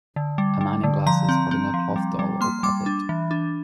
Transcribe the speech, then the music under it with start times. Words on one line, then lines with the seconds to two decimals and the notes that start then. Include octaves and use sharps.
A man in glasses holding a cloth doll or puppet.
0.16 D3
0.38 G3
0.61 G3
0.84 D3
1.06 F3 A#5
1.29 C4
1.51 C4
1.74 F3
1.96 G3
2.19 G3
2.41 A#3 C6
2.63 G3 D6
2.86 D4
3.09 E3
3.31 D4